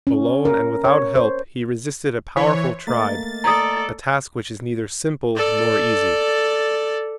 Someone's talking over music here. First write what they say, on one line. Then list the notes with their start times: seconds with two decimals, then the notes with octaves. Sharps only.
Alone and without help He resisted a powerful tribe, a task which is neither simple nor easy.
0.07 C#4
0.45 A#4
0.85 C#5
1.15 C5
2.36 E3 C5 C#5 B6
2.87 A3 A#3 D#5 A6
3.44 A4 D5 A#5 D#6
5.36 A4 D5